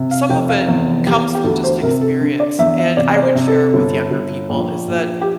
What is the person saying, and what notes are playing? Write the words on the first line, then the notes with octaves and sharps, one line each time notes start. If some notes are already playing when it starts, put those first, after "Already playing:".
some of it comes from just experience, and I would share it with younger people, is that
Already playing: C3
F5
F1 G5
F5
E2
E2 G4
G4
D2 A4
C5
C3 A#4
A4
D3
D5
E2 E5
E5
C3 D5
D5
C5
C3
A4
G1
G1
A#1
A#1
G4